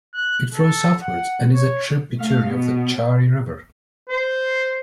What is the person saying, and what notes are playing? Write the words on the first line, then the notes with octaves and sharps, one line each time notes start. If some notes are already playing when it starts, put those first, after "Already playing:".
It flows southwards, and is a tributary of the Chari River.
F#6
A4
F#5
C#5
A3 F5
B2 B3
C5